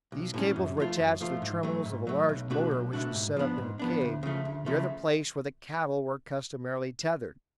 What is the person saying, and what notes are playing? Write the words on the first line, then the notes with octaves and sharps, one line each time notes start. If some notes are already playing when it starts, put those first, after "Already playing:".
These cables were attached to the terminals of a large motor which was set up in the cave near the place where the cattle were customarily tethered.
B1
A2 G#3 C#4
F#2
F3 A3 F4
F#2
F3 A3 F4
G#2
F#3 A3
G#2
F#3 A3
B1
B2 A3 D4 F#4
B1
B2 A3 D4 F#4
G#2
F3 B3 D4
G#2
F3 B3 D4
D2
C#3 F3 A3
D2
C#3 F3 A3